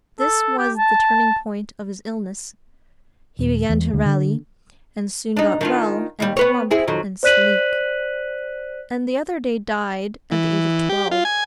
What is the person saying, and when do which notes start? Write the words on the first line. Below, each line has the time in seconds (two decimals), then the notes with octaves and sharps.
This was the turning point of his illness; he began to rally, and soon got well, and plump, and sleek; and the other day died at the age of twelve.
0.20 A4
0.58 G4
0.77 A5
3.39 D#1
3.69 E2
3.93 D2
4.06 D3
5.37 D4 D#4
5.61 D#3 D4 F4
6.20 D#2 G3
6.37 B3 B4 C#5
6.71 C4 E4 G#4
6.88 F2 D#3 F#3
7.23 C5 D5 F#6 B6 D#7 F#7
10.31 E3
10.89 G4
11.11 F4
11.25 G#5